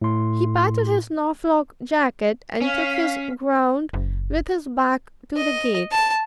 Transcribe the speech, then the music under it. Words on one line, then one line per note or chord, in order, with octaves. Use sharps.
He patted his Norfolk jacket and took his ground with his back to the gate.
A2 C6
C#4 F5 B6
F#1
D#5
A5